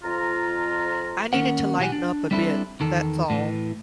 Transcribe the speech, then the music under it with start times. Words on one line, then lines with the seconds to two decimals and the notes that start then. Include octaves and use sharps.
I needed to lighten up a bit, that's all.
0.03 F2 F4 A#5
1.33 D#3 A#3 C#4 A#4 F#5
1.79 B1 E3 F#4 G4 F#5 G#5
1.92 D4
2.31 G3 C4 D4 E4 F4 A4
2.80 E2 D#3 A4
3.30 A2 E3